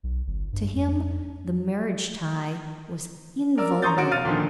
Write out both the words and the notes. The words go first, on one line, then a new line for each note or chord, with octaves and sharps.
To him the marriage tie was invulnerable.
B1
G1
G2
F2
A#4 D5 E6
A#5 C6 C#6 D#6 G6 A6
C#4 F#4 D7
F5 F6 A6 D#7
A#2 D3 D#3 F3